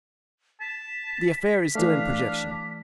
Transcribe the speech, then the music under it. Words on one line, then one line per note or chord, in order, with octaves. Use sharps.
"The affair is still in projection."
A5 B6
E3 A3 D4 F5